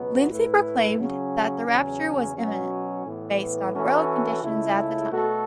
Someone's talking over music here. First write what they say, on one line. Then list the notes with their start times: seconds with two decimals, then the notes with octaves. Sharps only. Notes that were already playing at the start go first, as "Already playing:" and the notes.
Lindsey proclaimed that the rapture was imminent, based on world conditions at the time.
Already playing: C#2 B2 F#3 B3
0.30 A2 A3 E4 B4
0.98 C#3 F#3 C#4
1.67 E2 C#3 F#3 C#4
2.36 B2 F#3 C#4
3.05 A2 E3 B3
3.74 E3 C#4 F#4 A4
4.43 C#2 C#3 A3 E4
5.11 B2 A3 F#4 A4